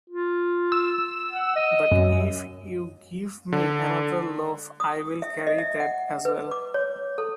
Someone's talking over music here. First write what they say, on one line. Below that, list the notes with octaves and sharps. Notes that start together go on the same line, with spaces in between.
But if you give me another loaf I will carry that as well.
F4
E6
F#5
D#5
F#2
D3
D#6
E5
D#5
E5
F#5
B4
D6
C#5
A4